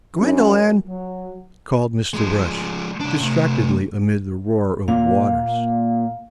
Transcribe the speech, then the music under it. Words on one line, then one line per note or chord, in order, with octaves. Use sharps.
"Gwendolyn!" called Mr. Brush, distractedly amid the roar of waters.
F#2
F#3
F3 G#3
C2 D4
C3 A3
A#2 A#3 F5